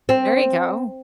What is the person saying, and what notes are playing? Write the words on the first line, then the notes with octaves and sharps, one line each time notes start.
There you go.
C4